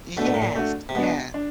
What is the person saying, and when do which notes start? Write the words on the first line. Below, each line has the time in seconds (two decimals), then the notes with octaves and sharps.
Yes. Yeah.
0.17 B2 A3 D4 F#4 A4
0.26 A#2
0.34 A2
0.42 A#2
0.55 A3 D4 F#4 A4
0.89 C3
0.95 B2 G#3 B3 D4
1.34 D4